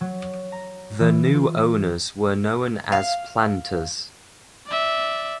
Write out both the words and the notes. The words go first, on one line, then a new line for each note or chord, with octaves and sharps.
The new owners were known as "planters".
F#3
A#5
E3
F4
F5
D5 E5